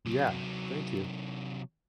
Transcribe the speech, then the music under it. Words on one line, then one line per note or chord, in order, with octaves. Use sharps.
Yeah, thank you.
C3 F#3